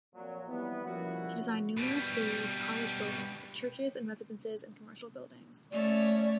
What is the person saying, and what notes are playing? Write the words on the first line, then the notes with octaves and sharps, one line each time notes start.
He designed numerous schools, college buildings, churches and residences and commercial buildings.
F2 A#2 F#3
F2 C3 E3 G3 B3
F3 G3 A#3 C#4 E4 F#4
B2 G3
A3 C#4 C#5 D5